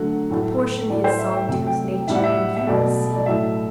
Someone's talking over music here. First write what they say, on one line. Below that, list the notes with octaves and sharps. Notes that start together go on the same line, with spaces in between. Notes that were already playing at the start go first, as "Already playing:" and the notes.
Proportion his song to his nature, and you will see!
Already playing: D3 F#3 A3 F#5
A2 F#3 A3
A2 F#3 A3 D5
C5
E5
G5
C3 F#3 A3 G5
G5
A2 G3 E5
F#5
E5
E5
B2 F#3 A3 D5
D5
A2 F#3 A3 E5